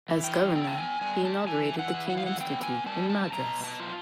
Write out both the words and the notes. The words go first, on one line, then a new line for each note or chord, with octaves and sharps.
As governor, he inaugurated the King Institute in Madras.
E3
G5
B3 G5
A5
G#5
G3 G#5
A5
E3 G#5
F#5
E3
F#5
F5
F#5
B3 G5
G#5
G3 A5
A5
A5
B2 A#5
A5
F4